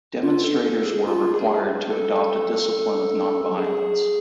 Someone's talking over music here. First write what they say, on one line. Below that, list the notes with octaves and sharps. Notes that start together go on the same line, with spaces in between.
Demonstrators were required to adopt a discipline of non-violence.
F4
A4
A4
G#4
F4
G#4
A4
G#4